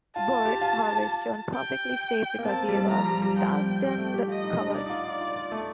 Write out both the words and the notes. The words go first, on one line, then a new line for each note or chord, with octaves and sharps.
Bert, however, is shown perfectly safe, because he has ducked and covered.
F4 A5
F4
G4
F4
G5
A#3
C4 A5
G3
F3 A#5
G3
G3
F3 G5
G3
A3
G4
F4 D#5
D#4
D4
D#4 D5
D#4
F4
F4
F4
F4
A3